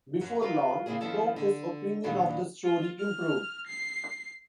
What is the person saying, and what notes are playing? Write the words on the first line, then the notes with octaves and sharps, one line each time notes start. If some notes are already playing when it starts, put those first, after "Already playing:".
Before long, though, his opinion of the story improved.
F#2 F#3
F4 F#4 A#4 B4 F5
C#3 A#3 C4 D4 E4 G#4
D#3 F3 B3 C#4 E4 A4
D3
D#2 A#2 D#3 E3 F#3 D4
F4
F6
C7